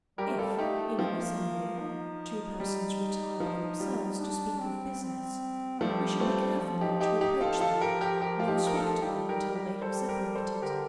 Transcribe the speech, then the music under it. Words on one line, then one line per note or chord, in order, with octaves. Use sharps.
If, in an assembly, two persons retire by themselves to speak of business, we should be careful not to approach them, nor speak to them until they have separated.
G3 G4 A#4
A3
G3 F4 A4
A3 D#4 G4
F3 C4
A#3
A3
A#3
D#4
G3
F3
G3
D4
C4
C4
F3 G3 A3
A3 C4
F3
D#4 G4
D#4 G4
D#4 G4
F3 F4 A4
F4 A4
G4 A#4
G4 A#4
G4 A#4
F4
D#4 G4
A#4
F4 A4
G3 D#4 G4
G4 A#4
G4 A#4
A4 C5
G4 A#4
A4 C5
D3 G4 A#4